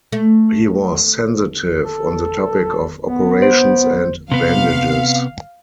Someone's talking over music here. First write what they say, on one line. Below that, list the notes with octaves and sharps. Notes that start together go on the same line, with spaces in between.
He was sensitive on the topic of operations and bandages.
A3
A4
B3
C5
C3 B3 F5